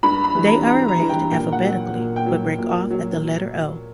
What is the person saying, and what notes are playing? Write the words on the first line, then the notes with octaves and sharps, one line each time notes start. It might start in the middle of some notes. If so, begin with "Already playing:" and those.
They are arranged alphabetically, but break off at the letter O.
G2 B5
B5
E3 G3
A#5
G2 A#5
A#5
E3 G3
G5
A#2 G5
F#5
F#3
A#2
G5
F#3
A#2
F#3